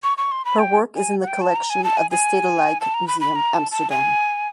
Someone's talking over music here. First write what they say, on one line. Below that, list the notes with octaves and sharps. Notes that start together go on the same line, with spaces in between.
Her work is in the collection of the Stedelijk Museum Amsterdam.
C#6
C#6
C6
B5
G5
G#5
F#5
G5
A5
A#5
G#5
A5
G#5
G#5
A5
A#5
B5
B5
A#5
A5
A5
G#5